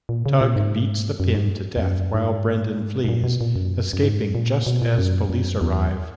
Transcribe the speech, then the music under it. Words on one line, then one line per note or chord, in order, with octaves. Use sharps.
Tug beats The Pin to death while Brendan flees, escaping just as police arrive.
A#2
C#3
A#2
G#2
F#2
G#2
E2
F#2
G#2
B2
A#2
B2
A#2
F#2
F#2
G#2
A#2
B2
A#2
F#2
F#2
E2